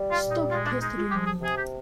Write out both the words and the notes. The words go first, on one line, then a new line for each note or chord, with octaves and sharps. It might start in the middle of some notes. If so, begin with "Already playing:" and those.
Stop pestering me!
Already playing: G3
F4
A#2
D#4
G#3 F4
D4
G#3 D#4
F4
F3 G4
G#4
C3 G#4
G4